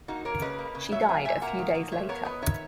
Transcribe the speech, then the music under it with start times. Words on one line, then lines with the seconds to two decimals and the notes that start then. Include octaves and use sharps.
She died a few days later.
0.08 A#3 D#4 F#4
0.25 A#3 A#4 C#5
0.41 C#3 B4 D#5
0.59 A#3
0.75 C#3
0.91 F#3 C#5 E5
1.09 A#3 E5 G#5
1.25 A#2 E5 G#5
1.42 A#3 F#5 A#5
1.59 D#3
1.75 A#3
1.92 A#2 C#5 E5
2.09 B3 A#4 C#5
2.25 B3 B4 D#5
2.42 D#3 C#5 E5